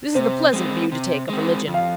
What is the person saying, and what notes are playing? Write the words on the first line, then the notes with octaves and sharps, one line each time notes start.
This is the pleasant view to take of religion.
C3 C5
G#3 C4
C3
G#3 C4
F2
F5